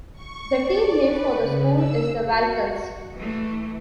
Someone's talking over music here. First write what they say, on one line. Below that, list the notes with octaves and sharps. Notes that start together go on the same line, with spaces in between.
The team name for the school is the Vulcans.
C#6
D5
B4
C#3
E6
F#4
E3 A3